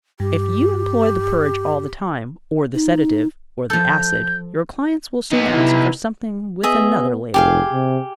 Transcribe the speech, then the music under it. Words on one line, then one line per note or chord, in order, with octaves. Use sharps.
If you employ the purge all the time, or the sedative, or the acid, your clients will soon ask for something with another label.
G2 G4
D#4
F3 A4 G6
B3 D#4
C3 E4
B3 G#4 D#5 E5
F1 G4 G#4 F5
C3